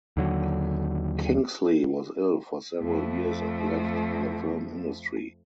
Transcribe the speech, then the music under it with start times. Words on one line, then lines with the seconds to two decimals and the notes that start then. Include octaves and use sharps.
Kingsley was ill for several years and left the film industry.
0.17 D#2 D3 F#3
2.78 F2 A3